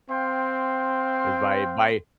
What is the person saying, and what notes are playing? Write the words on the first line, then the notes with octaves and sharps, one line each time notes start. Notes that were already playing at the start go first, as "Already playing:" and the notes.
is by by
C4 F5 G5 C6